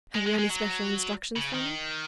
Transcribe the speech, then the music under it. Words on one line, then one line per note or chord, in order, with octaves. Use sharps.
"Have you any special instructions for me?"
G#3
G#3
G#3
F#3
C#3
D#3